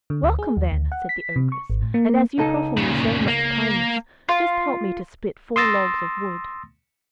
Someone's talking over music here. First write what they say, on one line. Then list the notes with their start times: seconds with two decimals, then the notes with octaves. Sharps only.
"Welcome, then!" said the ogress; "and as you proffer me so much kindness, just help me to split four logs of wood."
0.10 D3
0.23 D2
0.39 G#4
0.57 D#2
0.72 D2
0.92 F#5
1.09 B6
1.36 C3
1.52 C#6
1.70 G#1
1.82 A2
1.94 A#3
2.38 C#2 D#4 A4
2.77 A#2 C#3
3.28 A#3
4.29 F4
5.56 C6 D#6 E6 A6 A#6